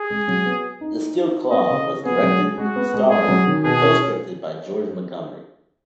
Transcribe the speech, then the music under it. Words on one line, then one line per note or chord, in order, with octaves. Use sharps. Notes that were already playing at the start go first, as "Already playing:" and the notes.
"The Steel Claw" was directed, starred and co-scripted by George Montgomery.
Already playing: G#4
G#3
F#3
B3
D#4
B3 D#5
C#3
C#4
B3 G#4
F#3
G#3
G#3 F#4
B3
G#3
G#3 G#4
F#3
D#3
B2 G#4
C#4